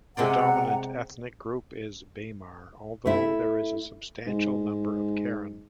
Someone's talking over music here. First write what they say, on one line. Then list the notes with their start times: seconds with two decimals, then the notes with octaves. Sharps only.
The dominant ethnic group is Bamar, although there is a substantial number of Karen.
0.17 C3 G#3 D5 F#5 G5 A#5
3.06 A3 E4
4.27 G#2